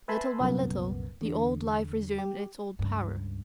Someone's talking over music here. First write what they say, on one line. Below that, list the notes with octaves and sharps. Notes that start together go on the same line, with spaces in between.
Little by little the old life resumed its old power.
B4 E5 G#5 A5 B5 C6
C2 F#2 A#2 A#3 B3
E2 D3
G4
C#2 G2